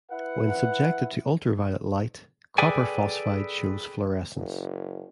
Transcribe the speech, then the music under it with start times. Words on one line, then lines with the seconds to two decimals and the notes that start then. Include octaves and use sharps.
When subjected to ultraviolet light, copper phosphide shows fluorescence.
0.12 E4 B4 F#5
2.58 G#4 A4 B4 D5 G5 G#5
4.35 F#1